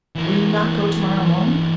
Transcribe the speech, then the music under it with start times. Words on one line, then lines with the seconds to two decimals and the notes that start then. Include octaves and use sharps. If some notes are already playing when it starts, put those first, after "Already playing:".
"Will you not go tomorrow morning?"
0.15 E3 A#3